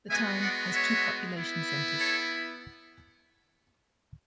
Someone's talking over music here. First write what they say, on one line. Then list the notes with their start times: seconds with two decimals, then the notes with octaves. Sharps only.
The town has two population centers.
0.09 G#3 B3 F#4 E5 G#5
0.40 D5 F#5
0.72 C#5 E5
1.35 B3 E4
1.97 A4 C#5